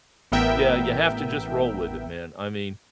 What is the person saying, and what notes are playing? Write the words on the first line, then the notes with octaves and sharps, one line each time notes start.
yeah, you have to just roll with it, man. I mean,
A1 B3 A#4 E5 G5